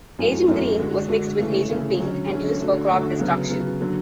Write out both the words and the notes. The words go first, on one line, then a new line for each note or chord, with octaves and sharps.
Agent Green was mixed with Agent Pink and used for crop destruction.
F#2 E3 A3
F#2 E3 A3
D3 G#3 D4 F#4
D3 G#3 D4 F#4
C#3 E3 A3
C#3 E3 A3
D3 F#3 C#4
D3 F#3 C#4
D3 A3 D4 F#4
D3 A3 D4 F#4
C#3 F#3 B3
C#3 F#3 B3
D3 F#3